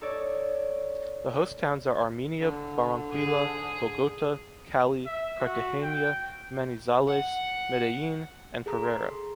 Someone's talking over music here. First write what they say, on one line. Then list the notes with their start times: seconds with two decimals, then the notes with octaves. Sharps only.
The host towns are Armenia, Barranquilla, Bogota, Cali, Cartagena, Manizales, Medellín, and Pereira.
0.01 D#4 A4 C#5 D5
2.41 F#1 D3
3.13 G#2 G#4
5.06 E5
5.41 F#4
5.83 G5
7.07 F#5
8.66 G#4 A4 A#5
8.85 C6